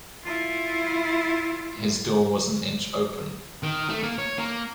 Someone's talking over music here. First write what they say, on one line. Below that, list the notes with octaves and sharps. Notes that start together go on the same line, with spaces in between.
His door was an inch open.
E4 F4
D#3
A3
A#3
C#5
A#3